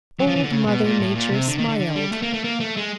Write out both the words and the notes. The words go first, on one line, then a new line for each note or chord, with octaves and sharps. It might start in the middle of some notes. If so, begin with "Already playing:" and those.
Old Mother Nature smiled.
F#3
F3
E3
D3
C#3
B2
A#2
A2
A#2
C3
D3
D#3
D3
D3
G3
A3
A#3
A3
A#3
A3
G#3